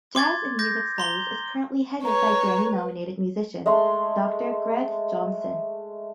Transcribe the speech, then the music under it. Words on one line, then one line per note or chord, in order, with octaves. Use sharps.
Jazz and music studies is currently headed by Grammy nominated musician, Doctor Greg Johnson.
C6 D6 G#6 A6
D6 G6 A#6
A#5 C6 G7
B4 C#5 A#5
G#3 A3 C6